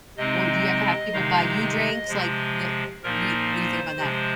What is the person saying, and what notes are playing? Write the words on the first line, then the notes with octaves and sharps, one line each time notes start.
Or, do you ever have people buy you drinks? Like, the what what do you think about that?
C3 G#3 C4 D#4 D#5
C3 D#3 G#3 D#4 F5
D#5
C3 F3 G#3
A#2 F3 A#3 D#4 A#4
C5
C3 F3 G#3